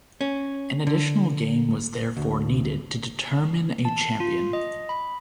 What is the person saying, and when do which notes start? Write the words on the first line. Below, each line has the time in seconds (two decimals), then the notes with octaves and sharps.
An additional game was therefore needed to determine a champion.
0.21 C#4
0.87 D3
2.17 D2
3.85 A5
4.20 F4
4.53 D#5
4.89 B5